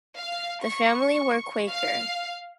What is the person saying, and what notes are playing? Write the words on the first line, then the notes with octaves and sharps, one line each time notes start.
The family were Quaker.
F5
C#6
F5